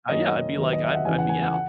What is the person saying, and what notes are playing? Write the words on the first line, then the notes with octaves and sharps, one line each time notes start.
Uh, yeah, I'd be like, "I'd I'd be out,"
F#2 D#3 A#3 C#4 D#5
D#2 D#3 F#3 B3
D#5
E5
F#5
E2 C#3 E3 G#5
F#5
G#5
F#5
F#5